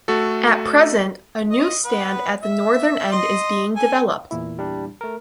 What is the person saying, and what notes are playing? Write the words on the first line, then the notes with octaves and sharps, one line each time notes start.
At present, a new stand at the northern end is being developed.
A3 F#4 A4
D#5
B3 B4
E5
D#5 C6
A4 G#5
E2 A#2 E4
G3 D4
A3 A#4